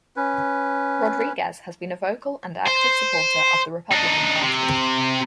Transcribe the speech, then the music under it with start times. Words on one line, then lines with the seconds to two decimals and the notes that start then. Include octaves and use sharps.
Rodriguez has been a vocal and active supporter of the Republican Party.
0.16 C#4 B4
2.67 C5
3.92 D4 D#4
4.43 C3